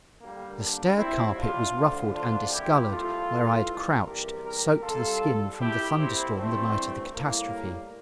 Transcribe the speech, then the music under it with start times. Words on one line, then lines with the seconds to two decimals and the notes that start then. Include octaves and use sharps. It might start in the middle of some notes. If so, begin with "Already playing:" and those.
The stair carpet was ruffled and discoloured where I had crouched, soaked to the skin from the thunderstorm the night of the catastrophe.
0.20 D2 D3 G3 A#3
0.58 A#3 D4
0.97 A2 G3 C4 E4
1.35 D4 F4
1.74 D2 D3 F3
2.13 D4 F4
2.51 C2 A#2 F3 E4 G4
2.89 F4 A4
3.28 F2 E3 G3
4.05 E2 C3 E3 G3 G4 A#4
4.44 G4 A#4
4.82 C2 C3 G3 F4 A4
5.59 C2 A#2 G3 E4 G4
5.97 C4 E4
6.36 G2 E3 G3 A3 C4
7.13 A2 G3 A#3